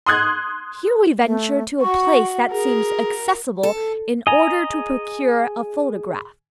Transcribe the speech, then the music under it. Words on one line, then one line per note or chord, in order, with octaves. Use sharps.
Here we venture to a place that seems accessible in order to procure a photograph.
C6 D#6 F#6 G#6
A3
F#4 C#6
G#4 A#4
A4
D#5 G#5 A#5
G#4